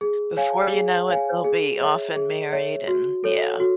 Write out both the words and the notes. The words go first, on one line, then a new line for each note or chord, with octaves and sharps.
Before you know it, they'll be off and married and yeah.
G#4
C#5 F5 G#5
G#4
C#5 F5 G#5
G#4
C#5 E5
G#4
C#5 E5
F#4
A4 C#5
F#4